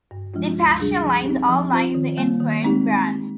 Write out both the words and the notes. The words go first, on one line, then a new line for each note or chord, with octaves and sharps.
The Paschen lines all lie in the infrared band.
G2
F3 G#3 D4 F4
D2
C3 G3 D4 G#4
F3
C4 D#4 G4
F3
C4 F4 C5
D#3
G3 A#3
D#3
G#3 C4 D#4 G4